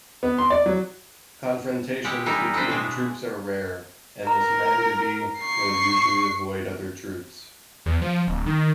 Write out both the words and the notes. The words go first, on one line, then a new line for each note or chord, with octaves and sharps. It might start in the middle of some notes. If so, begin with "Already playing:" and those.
Confrontations between troops are rare, as this mangabey will usually avoid other troops.
B3
C6
D5
F#3
G#3 E4 G4 F#5
E3 G3 D#4 E4 A#4
B3 C4 D4 B4 C5
B2 G#3
A#4 A#5
C#6 C7
E2
F3
D1
D#3